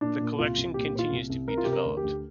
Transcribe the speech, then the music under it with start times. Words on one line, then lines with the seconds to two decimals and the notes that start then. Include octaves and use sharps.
The collection continues to be developed.
0.01 A#2 D4
0.21 A#2
0.39 C2 F4
0.57 C2
0.74 A#2 G4
0.93 A#2
0.99 F4
1.11 C2
1.30 C2
1.48 C3 A#4
1.58 F4
1.65 C3 G4
1.73 A#4
1.85 D2
1.97 G4
2.03 D2